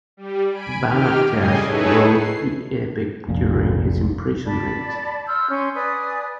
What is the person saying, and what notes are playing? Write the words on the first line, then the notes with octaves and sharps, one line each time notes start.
Balagtas wrote the epic during his imprisonment.
G3
G#5 B5 D7
D#3 G4 F6
A2 C#3 G3 D#5 G#5 C7
D#4 E4 G#4 A4 B4 C#5
C7
F1 A#1 A#2
D5 A5 B5
C6 E6 F6 G6
C#4 C6 G6
B4 D5 G#5 D#6